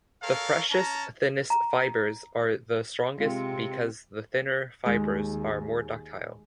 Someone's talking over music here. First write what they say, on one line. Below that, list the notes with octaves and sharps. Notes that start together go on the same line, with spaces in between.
The freshest, thinnest fibers are the strongest because the thinner fibers are more ductile.
A4 A#4 C#5 F5
C#4 A5 A#5
A#5
C3 G#3 C4 F4
D#2 G#3